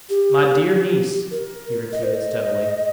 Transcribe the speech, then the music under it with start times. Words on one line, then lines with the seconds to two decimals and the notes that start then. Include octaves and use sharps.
My dear niece,' he repeated steadily.
0.10 G4
1.31 A#4
1.92 D#5
2.03 C5
2.15 D#5